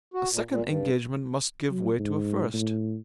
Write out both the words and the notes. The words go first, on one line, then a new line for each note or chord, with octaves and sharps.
A second engagement must give way to a first.
F#4
A#2
A#2
G2
F#3
G#2
A2